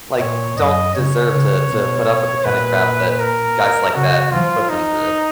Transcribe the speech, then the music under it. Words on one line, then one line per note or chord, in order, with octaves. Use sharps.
like, don't deserve to to put up with the kinda crap that guys like that put them through.
A#2 C#5
F#2 D#5
C#3 C#5
C#3
B2
A#2 B4
A#4
C#3 F#4
F3 F4
D#4